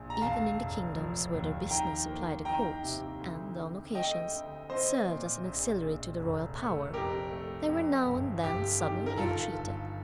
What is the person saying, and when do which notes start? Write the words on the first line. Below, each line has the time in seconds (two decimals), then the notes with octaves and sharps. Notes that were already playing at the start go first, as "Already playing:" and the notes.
Even in the kingdoms where their business supplied the courts, and, on occasions, served as an auxiliary to the royal power, they were now and then suddenly ill-treated.
Already playing: A#1
0.10 A#5
0.21 D#2 F5 A5
0.58 F1
0.96 F3
1.33 D#2
1.70 D#3 G5 A#5
2.08 A#3
2.45 D#3 G5 A#5
2.83 C3
3.20 D2
3.58 D2
3.95 A3 D#5 G5
4.32 D2
4.70 C4 C5 D#5
5.07 A#2
5.44 A#1
5.82 A#1
6.19 F1
6.57 A3
6.94 F2 G4 A#4
7.31 A3
7.69 F2
8.05 G1
8.43 G1 G4
8.80 D#3 G4
9.06 A#4
9.17 G1 F4 A4
9.55 G1